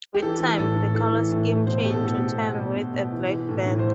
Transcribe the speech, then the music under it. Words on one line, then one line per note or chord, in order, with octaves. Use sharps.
With time, the colour scheme changed to tan with a black band.
G4
E3 A4
E3
A2 A4
A2
E3 A4
E3
A2
A2
B2 C5
B2 G4
A4
B2 A4
G4
B2
B2
B2
B2
B2
E3
E3
A2
A2
C5